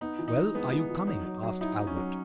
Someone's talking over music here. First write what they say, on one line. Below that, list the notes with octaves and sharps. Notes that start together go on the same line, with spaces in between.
"Well, are you coming?" asked Albert.
B3 D#4
E3
D#4
E3
G#3 B3
E3
E3
F#3 D#4
F#3
F#3
D#4 E4
F#3
C#4
F#3